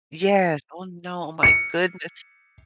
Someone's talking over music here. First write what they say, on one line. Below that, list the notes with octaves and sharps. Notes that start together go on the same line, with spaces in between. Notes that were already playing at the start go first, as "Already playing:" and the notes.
Yes. Oh, no, oh my goodness.
C#7